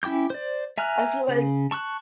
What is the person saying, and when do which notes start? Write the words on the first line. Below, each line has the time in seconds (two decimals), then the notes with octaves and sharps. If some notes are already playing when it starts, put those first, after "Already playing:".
I feel like
0.03 C#4 E4 G5 D6 G6
0.30 C5 D5
0.78 E5 G#5 A#5 F6 F#6
1.28 C#3
1.71 A5 C#6 E6 F#6